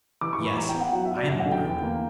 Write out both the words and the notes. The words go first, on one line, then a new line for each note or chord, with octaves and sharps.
Yes, I am a brute.
E3 D6
C#6
E3
B5
E4 A#5
G5
B3
F#5
F#3 F#5
E5
F#3
D5
F#2
F#5
D3
G5
E2
A#3